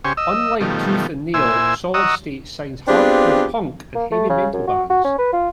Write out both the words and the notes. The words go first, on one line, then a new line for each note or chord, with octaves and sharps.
Unlike Tooth and Nail, Solid State signs hardcore punk and heavy metal bands.
C#3 G4 C5 G#5 C#6
D#5 E6
B2 D#3 F3 G3 A3
A#2 E4 C5 G#5 E6
D#5 F#5 A#5 C#6 D#6 E6
B3 C4 D4 F4 G4 G#4
A#3
A3
C#3
F#2
F#4
F#4
C#4
B4
F4